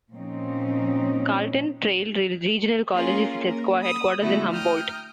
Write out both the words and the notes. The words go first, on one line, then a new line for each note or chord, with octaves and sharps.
Carlton Trail Regional College has its headquarters in Humboldt.
A#2 F3 C4 C#4 D#4
A#3 C#4 F4 G#4 A#4
A#3 A#4
B5 D#6 E6
D3 A3 B3 E4 F#4
G5 A#5 D#6 F6